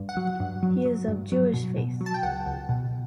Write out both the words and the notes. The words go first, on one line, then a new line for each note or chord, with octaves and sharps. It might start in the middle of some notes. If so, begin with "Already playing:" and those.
He is of Jewish faith.
Already playing: G2
F#5
F#3
G2
F#3
F#3
G2
F#3
B2
B2
F#3
A5
G5
C#2 F#5
C#2
B2